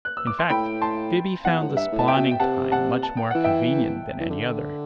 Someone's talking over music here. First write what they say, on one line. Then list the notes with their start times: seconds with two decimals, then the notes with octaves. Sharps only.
In fact, Gibbey found the spawning time much more convenient than any other.
0.05 F#6
0.17 E6
0.27 D6
0.39 C6
0.50 A2 G5 B5
0.82 A5 C6
1.45 E2 F#5
1.61 A2
1.69 G2
1.77 E5
1.92 A2
1.99 A5
2.08 E5 G5
2.16 B2
2.31 G5
2.40 C3 F#5 A5
2.72 F#5 A5
3.03 A5
3.17 G5
3.31 E3 F#5
3.44 E5 G5
4.19 E3
4.30 D3